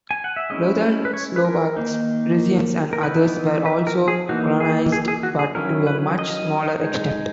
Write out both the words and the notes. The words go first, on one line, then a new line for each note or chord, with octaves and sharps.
Lutheran Slovaks, Rusyns, and others were also colonized but to a much smaller extent.
G#5
F#5
E5
G#3 C#4 E4 D#5
B4
C#5
B4
A#4
D#3 A#3 D#4
A#4
E3 B3 D#4 B4
B4
A#4
G#4
E3 A#3 D#4 F#4
G#4
G#4
G#4
F#4
G#4
D#3 F#3 C#4 E4 A#4
B4
D#5
G#3 D#4